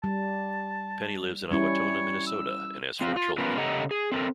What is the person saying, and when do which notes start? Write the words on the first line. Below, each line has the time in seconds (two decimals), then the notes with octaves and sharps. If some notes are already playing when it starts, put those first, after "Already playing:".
Penny lives in Owatonna, Minnesota and has four children.
0.04 G3 A5
1.51 G3 C#4 E4 C#5
2.27 E6
3.01 C4 F4
3.16 F4
3.38 A3 B3 C#4 F4 A#4 B4
3.57 C#3 G4 A4 D#5 F#5 A#5
3.91 G#4
4.12 C4 A4 A#4